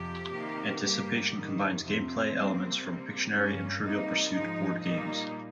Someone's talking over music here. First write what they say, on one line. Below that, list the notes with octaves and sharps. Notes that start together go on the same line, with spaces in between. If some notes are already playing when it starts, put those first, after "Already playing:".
"Anticipation" combines gameplay elements from "Pictionary" and "Trivial Pursuit" board games.
Already playing: F2 C3 F3 G4
C3 D#3 A#3
G2 G3 A#3 G4
G#2 D#3 G3
F2 C3 F3 C4
C3 G3 A#3
C3 G3 A#3
G2 G3 A#3 C#4
C3 G3 A#3 D#4
G#2 F3 G#3 D#4
A#2 G3 A#3 D#4